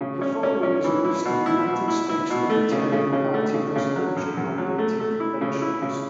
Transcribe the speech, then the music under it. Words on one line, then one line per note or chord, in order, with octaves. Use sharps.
The following is a list of United States Libertarian Party Presidential nominating conventions.
C#3
C#4
C#4
C#4
E3
E4
B2
E4
B2
E4
E4
B2
A3
C#3
C#3
C#3
A3
C#3
C#3
F#3
F#2
F#2
F#3
A3
A3
E4
C#3
E4
C#3